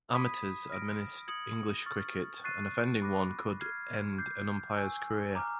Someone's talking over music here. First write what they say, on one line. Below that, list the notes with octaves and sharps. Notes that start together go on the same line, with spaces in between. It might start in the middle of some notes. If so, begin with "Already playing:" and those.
Amateurs administered English cricket, and offending one could end an umpire's career.
B5 D#6 G#6 B6 D#7
F6 A#6 D7
D#6 G#6 C#7 F#7
C#6 F6 A6
C#6 F#6 A6 C7 D#7
B5 D6 F#6 A#6
F6 G#6 C7
D6 G6 C7
G#5 C#6 E6
A#5 D6 F6